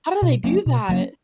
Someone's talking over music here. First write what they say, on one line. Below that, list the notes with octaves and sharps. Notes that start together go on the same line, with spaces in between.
how do they do that?"
B2
F#3 A#3 C#4
B2
F#3 A#3 C#4